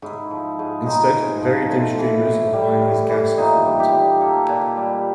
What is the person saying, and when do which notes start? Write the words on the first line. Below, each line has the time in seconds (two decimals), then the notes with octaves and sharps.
Instead very dim streamers of ionised gas are formed.
0.02 G#2 E4
0.31 F3
0.59 G#2
0.86 G#3 D#4
1.15 G#2
1.42 F3
1.70 A2
1.98 E3
2.25 A2
2.53 G3
2.82 A2
3.09 E3
3.38 A#2 D#4
3.65 G3
3.80 G4
3.93 A#2
4.21 A#3 A4
4.48 A#2
4.76 G3